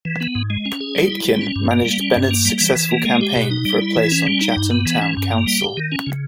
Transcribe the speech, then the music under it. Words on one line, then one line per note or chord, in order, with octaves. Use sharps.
Aitken managed Bennett's successful campaign for a place on Chatham Town Council.
E3
B3
G#2
G#3
C#4
G#4
G3
E4
G3
C#4
G2
A#3
G3
C#4
G2
A#3
G3
E3
E3
A#3
G#3
G4
B2
D#4
G3
E4
E3
C#4
G3
D#4
G2
B3
E3
C#4
G2
A#3
G3
G4
D#3
C#4
C#3